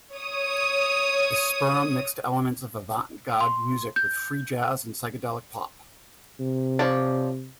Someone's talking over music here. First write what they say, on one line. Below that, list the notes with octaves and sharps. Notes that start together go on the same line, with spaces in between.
The Sperm mixed elements of avant-garde music with free jazz and psychedelic pop.
C#5 D#6
C6
G6
C3
F3 C#5 D5